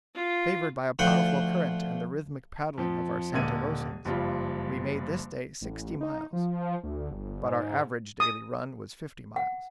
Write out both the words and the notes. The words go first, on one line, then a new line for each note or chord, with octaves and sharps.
Favored by a powerful current and the rhythmic paddling of our Santa Rosans, we made this day sixty miles; but our average daily run was fifty miles.
F4
D2 F3 F#5 G5
F2 F3
D#1 D3 G#3 A#3 G#6 D#7
F#1 G2 F3 G3 F4
A1
D#4
F3
D2
G1
G#2
D#6
F#5